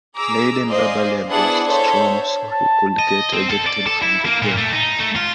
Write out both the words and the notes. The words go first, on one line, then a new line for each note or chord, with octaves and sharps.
Layden verbally abused Strom so he could get ejected from the game.
G#4 A#5 D6 E6
C5 D5 D#5 F5 G#5
B3 D4 E4 G#4 F#5 A5
A4 C5 C#5 E5
A5
D#5
C4
A4
D5
A4
E4
A#3
A#2
A3
D#4
A3
F4